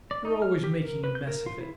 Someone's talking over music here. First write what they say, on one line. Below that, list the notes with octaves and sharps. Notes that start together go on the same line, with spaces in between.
You're always making a mess of it.
D5
D#4
F6
G4
A#4
B4
G6
A#4
F4
E4